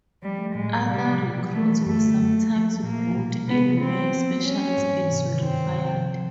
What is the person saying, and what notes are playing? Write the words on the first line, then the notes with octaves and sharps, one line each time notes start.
Other recruits were sometimes brought in where special skills were required.
F3 G3
A3
A2 G#3
F#3
C3 G3
F3
B2
F#3
E3 A3
G3
F#2 A3
D3
F#3
A#3
F3
G#3
A#2 A#3
F3
B2
G3
C3 B3
E3
G#3 C4
B3
F3
A#3
G3 C#4
C4
G#2
E3
C3
D#3
G2 C4
D#3
C3
F3
F3